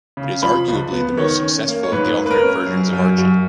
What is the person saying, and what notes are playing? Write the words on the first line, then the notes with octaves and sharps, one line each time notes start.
It is arguably the most successful of the alternate versions of Archie.
C#3
F3 B5
C#2
B3
D#3 C#5
C#4
A#3
C#5
G#2 B4
A#3
B4
A#4
C#4
F#2
F#2
F#2